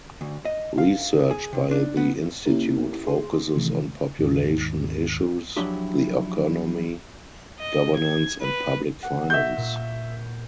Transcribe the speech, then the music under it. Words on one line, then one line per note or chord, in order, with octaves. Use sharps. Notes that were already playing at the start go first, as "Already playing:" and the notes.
Research by the institute focuses on population issues, the economy, governance and public finance.
D2
D#5
F5
G#4
C3
D4
B3
A#3 C#4 E4 G4 A#4
G#4 C6
C3 D#3 E3 A3
D#2 G#2 D#3
F3 F#3 D4 E4 G4 G#4
D#5
G#6
B4
F#5
E5 C#6 G6 A#6
A#2